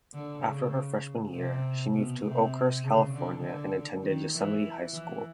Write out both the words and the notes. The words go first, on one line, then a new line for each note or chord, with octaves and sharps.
After her freshman year, she moved to Oakhurst, California and attended Yosemite High School.
D3
C#3
C3
B2
C3
C#3
D3
D3
D#3
E3
E3